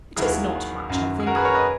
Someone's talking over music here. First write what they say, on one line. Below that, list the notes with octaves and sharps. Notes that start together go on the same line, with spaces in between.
'It is not much, I think.
D#2 D#3 F#3 E4 G#4
F#2 D#3 F#3
G#4
F#4 A#4
G#4 B4
A#4 C#5
B4 D#5